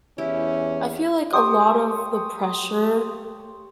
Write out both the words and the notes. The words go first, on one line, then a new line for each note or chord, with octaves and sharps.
I feel like a lot of the pressure,
E2 C#4 E4 G4
G4 C5 C#5 D#6